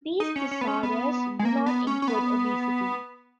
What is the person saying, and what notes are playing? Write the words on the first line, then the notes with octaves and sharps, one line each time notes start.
These disorders do not include obesity.
D#4
C#4
C#4
B3
C#4
B3
G#3
A#3
B3
C#4
C#4
B3